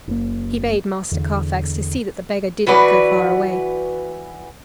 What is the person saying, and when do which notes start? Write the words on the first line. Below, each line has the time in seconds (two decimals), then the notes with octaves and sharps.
He bade Master Carfax to see that the beggar did not go far away.
0.08 F#1 A#3
1.11 E2 D3
2.67 E3 F#4 B4 D5